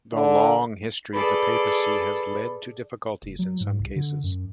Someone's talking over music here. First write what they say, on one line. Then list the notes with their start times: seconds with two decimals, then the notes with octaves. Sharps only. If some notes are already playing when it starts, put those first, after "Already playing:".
The long history of the Papacy has led to difficulties in some cases.
0.13 D3
1.13 G#4 A4 B4 D5 B5
3.22 F1
3.39 F#3
3.60 G#2
3.79 C2
3.96 D3
4.23 F#2